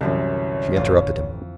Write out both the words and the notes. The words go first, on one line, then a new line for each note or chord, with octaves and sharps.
She interrupted him.
C2 F#2 D3 E3 C4 C#5
A1 F2 C#4 F4